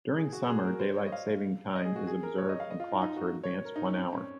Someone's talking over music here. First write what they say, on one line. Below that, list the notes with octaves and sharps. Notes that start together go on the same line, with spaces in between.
During summer daylight saving time is observed and clocks are advanced one hour.
G#4
F#4
F#4
G#4
A#4
C5
C#5
D#5
F5
D#5
G#4
F#4
G#4
A#4
C#5
D#5
F5
D#5
F4
D#4
D#4
F#4
C#5
C#5
A#4
D#4
C#4
C4
C#4